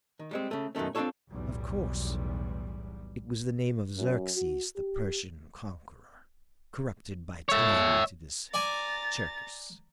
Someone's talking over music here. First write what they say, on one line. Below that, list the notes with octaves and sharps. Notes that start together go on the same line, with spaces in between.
Of course--it was the name of Xerxes, the Persian Conqueror, corrupted by time into this--Cherkis.
D#3
G3 G#3 C4
C#3 A3
F#2 B2 D#3 A3 C#4
C4 D4 D#4 F4 A4 C#5
B1 E2 A2 G3
F#2
F#4
G4
C#5 E5
D5 G#5 A#5 A6